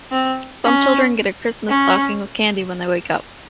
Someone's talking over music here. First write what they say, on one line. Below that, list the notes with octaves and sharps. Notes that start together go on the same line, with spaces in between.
Some children get a Christmas stocking with candy when they wake up.
C4
C#4
C#4